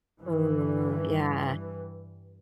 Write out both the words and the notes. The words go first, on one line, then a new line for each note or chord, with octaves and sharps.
Ooh, yeah.
G2 E3